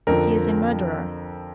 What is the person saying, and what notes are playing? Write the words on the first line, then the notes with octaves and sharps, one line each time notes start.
He is a murderer.
F2 D3 F3 A#4